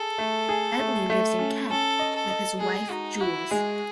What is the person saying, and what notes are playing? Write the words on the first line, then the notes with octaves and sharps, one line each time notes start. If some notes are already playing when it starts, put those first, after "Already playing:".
Bentley lives in Kent with his wife Jools.
Already playing: G#4 A4
A3
G#4
A3
A3
C#4
C#4 A4
D#5
A4
D#5
G#3 G#4
D#4 F#4
E4 F#4
G#3 G#4